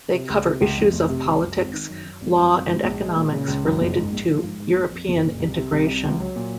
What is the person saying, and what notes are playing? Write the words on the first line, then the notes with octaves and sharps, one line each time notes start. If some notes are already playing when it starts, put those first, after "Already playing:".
They cover issues of politics, law and economics related to European integration.
C3
C#2
C3
C#2
F2
F1
C3
C#2
F#2
G#1
D#3
F#2
F#2
G#1
F#2
G#1
G#2
A#1
G#3
A#2
C#3
C#2
F#2
F#1
G#2
A#1
F3
G#2
G#2
A#1
F2
F#1
A#2
C2
C3
C2
C3
C#2
F#3
A#2